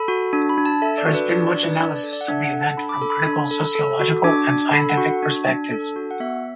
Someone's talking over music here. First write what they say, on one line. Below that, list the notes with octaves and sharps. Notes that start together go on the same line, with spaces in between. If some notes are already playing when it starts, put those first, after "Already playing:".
There has been much analysis of the event from critical sociological and scientific perspectives.
Already playing: A4 B5
F#4
D4
B5
D4
A5
A4 E5
D5
F#4
B4
D4 D5
D5
D4
B4
D4 D5
D5
A4
D5
F#5
D4 E5
F#5
A4
A5
D4 B5
D6
B5
A4
B5
D4
A4
A4
F#4
D4 D6
D4
A4 B5
F#5
F#4
D4
D4
A4
F#4
F#5
B3 E5